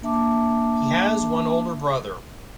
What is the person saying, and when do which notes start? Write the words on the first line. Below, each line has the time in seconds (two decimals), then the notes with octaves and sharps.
He has one older brother.
0.02 A#3 D4 E5 A5 D6